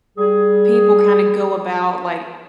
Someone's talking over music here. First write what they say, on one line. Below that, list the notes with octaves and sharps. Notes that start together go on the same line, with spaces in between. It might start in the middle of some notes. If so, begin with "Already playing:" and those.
people kinda go about, like,
G3 G#4